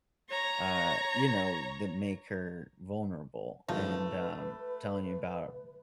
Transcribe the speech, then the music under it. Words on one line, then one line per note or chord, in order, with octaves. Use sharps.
uh, you know, that make her vulnerable, and, um, telling you about
C#5 A#5
G#1 F3 A3 B4 A#5